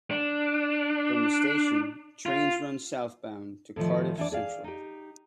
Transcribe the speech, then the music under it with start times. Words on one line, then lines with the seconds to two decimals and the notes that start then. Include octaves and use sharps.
From the station, trains run southbound to Cardiff Central.
0.11 D4
2.26 F4
3.76 A2 D#3 F3
4.17 E3 D4 D5
4.32 G#4 D5 F5
4.64 D#4 G4